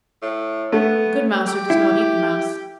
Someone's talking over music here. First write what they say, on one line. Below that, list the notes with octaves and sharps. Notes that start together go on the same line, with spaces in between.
A good mouser does not eat the mouse.
A2
A3 B3
G4
E4